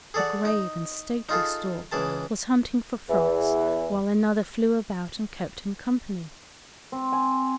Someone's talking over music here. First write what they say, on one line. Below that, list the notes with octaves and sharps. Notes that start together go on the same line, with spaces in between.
A grave and stately stork was hunting for frogs, while another flew about and kept him company.
G#4 A4 D5 F#5
D#4
D#4 F4 G#4 A4
C#2 E3 G#4 A5
E2 E3
C4
G#5